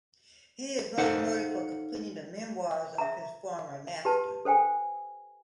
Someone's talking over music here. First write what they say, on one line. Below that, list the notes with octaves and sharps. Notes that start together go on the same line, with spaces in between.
He is most noted for completing the memoirs of his former master.
D#4 A4 C5 F5 F#5
E5 A#5
G4 B4 A5
A4 C5 G5 G#5